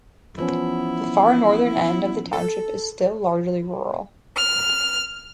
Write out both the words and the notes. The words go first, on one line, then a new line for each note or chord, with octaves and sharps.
The far northern end of the township is still largely rural.
E3 F3 B3 C#4 E4
A4
F6